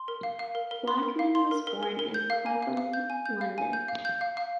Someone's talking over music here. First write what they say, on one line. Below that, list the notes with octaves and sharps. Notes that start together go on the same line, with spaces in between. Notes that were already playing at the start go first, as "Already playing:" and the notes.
Blackman was born in Clapham, London.
Already playing: C6
A#4
F5
F5
A#4
A#4
C6
A#4
F5
C6
A#4
A#4
A#4
A#4
G6
F5
G#5
F5
F5
G6
G#5
G6
F5
G#5
G6
F5
G6
F5
F5